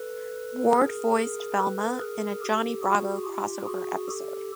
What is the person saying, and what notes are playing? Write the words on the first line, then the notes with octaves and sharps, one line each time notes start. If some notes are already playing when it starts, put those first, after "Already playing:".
Ward voiced Velma in a Johnny Bravo crossover episode.
Already playing: A4 B4
G#4 A#4
A4 B4
G#4 A#4
G4 A4
F#4 G#4
F4 G4
F#4 G#4
G4 A4